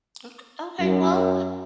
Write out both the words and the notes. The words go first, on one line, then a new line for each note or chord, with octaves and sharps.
M k okay, well,
F#2